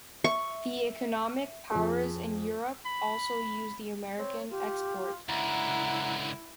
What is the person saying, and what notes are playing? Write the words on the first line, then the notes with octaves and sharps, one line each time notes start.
The economic powers in Europe also used the American export.
E5 C#6
F2 G#4
B5
C4 C#5
F4 G4
C#2 D3 E4 F#5 A#5